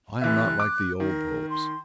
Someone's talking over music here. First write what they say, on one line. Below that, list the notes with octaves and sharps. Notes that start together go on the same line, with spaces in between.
I am not like the old Popes.
F1 E3 E5 F#6
D6
D#3 A#4
C6